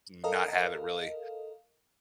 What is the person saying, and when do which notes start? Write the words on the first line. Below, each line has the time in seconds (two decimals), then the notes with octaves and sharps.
not have it really
0.24 A4 A#4 D#5 F5